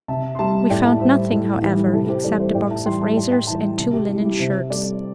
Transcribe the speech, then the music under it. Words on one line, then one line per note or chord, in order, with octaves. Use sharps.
We found nothing, however, except a box of razors and two linen shirts.
C3 E5 A5
C6
G3 E5 A5
A2 D5 G5
E5 A5
G3 C5 E5
A2
E3 G3
C3 E4 A4
G4 C5
E3 G3 A4 D5
C5 E5
A2 D5 G5
E5 A5
E3 G3 G5 C6
E5 A5
A2 D5 G5
G5 C6
E3 G3 E5 A5
C3 E5 A5
G4
G3 E4
E4
G4
C3 C5 E5
G3 A4 D5